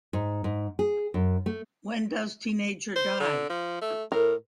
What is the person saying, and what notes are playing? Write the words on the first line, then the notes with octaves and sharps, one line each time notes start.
When Does Teenager Die?
G#2
G#2
G#4
F#2
A3
C5
D3
F3
A3
A2 A#4